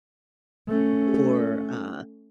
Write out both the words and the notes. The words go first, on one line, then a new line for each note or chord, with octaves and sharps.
or, uh
A3 C#4